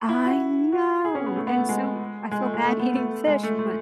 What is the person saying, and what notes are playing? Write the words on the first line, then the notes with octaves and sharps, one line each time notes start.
I know, and so I feel bad eating fish, but
E4
F#4
F#4
G#4
C#4
B3
A3
B3
A3
G#3
G#3
A3
G#3
A3
B3
A3
G#3
A3
A3